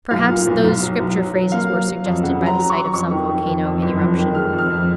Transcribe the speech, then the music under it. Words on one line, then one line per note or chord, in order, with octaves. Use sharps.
Perhaps those Scripture phrases were suggested by the sight of some volcano in eruption.
B1 F5
A#2
B1
B1
F#3
B1
F#3
F#3
A#3 F5
F#3
F#3
F2
C#3 F#5
F#3
A#5
F#3
C#6
F#3
F2 C#6
D#3
D#3
F2
F2
F#1
F2
D#3
G#3 F6
F2
F6
F2